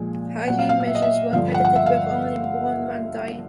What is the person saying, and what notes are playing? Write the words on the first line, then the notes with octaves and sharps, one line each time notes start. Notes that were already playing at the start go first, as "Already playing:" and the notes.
Hygiene measures were credited with only one man dying.
Already playing: A#2 F3 G#3
A#2 F#3 F#5
F5
F5
F5
E5
D#5
E5
G2 D3 F3 F5
F#5
F#5
E5
F5